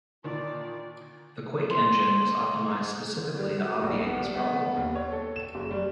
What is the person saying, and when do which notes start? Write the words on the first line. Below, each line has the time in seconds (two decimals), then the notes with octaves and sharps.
The "Quake" engine was optimized specifically to obviate this problem.
0.24 A#2 D3 D#3 F4 D5
1.71 C6
3.37 G3
3.58 F#4
3.83 A#1
4.06 B3
4.19 G3
4.36 B3
4.77 D#2
4.95 C#5
5.12 A4
5.36 E7
5.55 F#1
5.71 G3